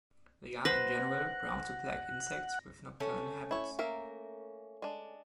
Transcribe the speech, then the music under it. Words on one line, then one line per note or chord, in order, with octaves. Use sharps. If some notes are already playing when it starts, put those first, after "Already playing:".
They are, in general, brown to black insects with nocturnal habits.
B4 C5 F#5 A#6
A3 C#4
E4 C#5
A#3 A#4 E5
G#3 D4